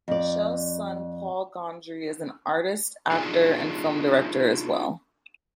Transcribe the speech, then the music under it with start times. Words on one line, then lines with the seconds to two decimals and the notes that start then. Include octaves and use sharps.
Michel's son Paul Gondry is an artist, actor, and film director as well.
0.08 F2 D5
3.11 D4 D#4 F4 G#4